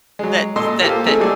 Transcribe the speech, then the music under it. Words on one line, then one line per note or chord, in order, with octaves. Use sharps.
that's that that
F#3 G#3
A#2 A4 D#5 C6
A#3 F4 G4 A4 C5
A3 A#3 C4 D#4 G#4 A4
F#3 G3 D#4 G#4 A4 D5